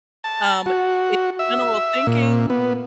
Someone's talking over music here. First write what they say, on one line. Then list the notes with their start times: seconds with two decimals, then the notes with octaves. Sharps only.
um, in general thinking,
0.24 A5
0.66 F#4
1.39 E5
2.07 A#2
2.50 B3